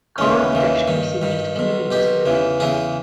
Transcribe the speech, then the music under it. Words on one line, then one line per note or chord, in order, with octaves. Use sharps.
Coral and fish can be seen just a few metres from the beach.
D#2 C#3 E3 C#4
D#2 C#3 E3
G2 D#3
G2 D#3
B1 B2
B1 B2 G4
E2 C#3 E3
E2 C#3 E3 G#4